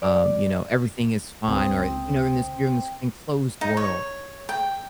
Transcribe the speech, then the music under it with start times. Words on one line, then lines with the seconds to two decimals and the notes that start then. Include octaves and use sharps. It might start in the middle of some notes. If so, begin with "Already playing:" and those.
um, you know, everything is fine or you know, in this you're in this enclosed world,
0.02 D5
1.48 C#2 C4 D#6
3.61 D#4
3.77 C#5
4.49 G5